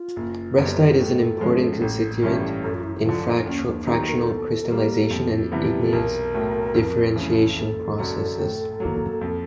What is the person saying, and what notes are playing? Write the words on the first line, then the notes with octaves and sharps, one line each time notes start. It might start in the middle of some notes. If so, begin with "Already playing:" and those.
Restite is an important constituent in fractional crystallisation and igneous differentiation processes.
Already playing: F4
F#1
F#2 D3 G3 B3
A2 A4
F3 G#3 C#4
A1
G2 E3 A3 C#4
F#2 A4
F4
E4
E4
D3 F3 F4
D4
D#2 C#4
D4
D#3 F#3 B3 D#4 G#4
A#4
A4
B2
G3 A#3
F2
C3 E3 G3 B3
A4
B1 A#4
A2 F#3 A3
F2
C#3 E3 A3
F#1 A4
F#2 D3 F#3
A2
F#3 A#3
F2